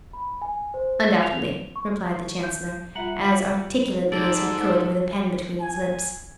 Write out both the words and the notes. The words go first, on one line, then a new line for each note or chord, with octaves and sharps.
"Undoubtedly!" replied the Chancellor, as articulately as he could with a pen between his lips.
B5
G#5
C5
F7
C#6
G6
G3 F4 E5 F#5 A#5
G#2 A4 D5 A6
G#5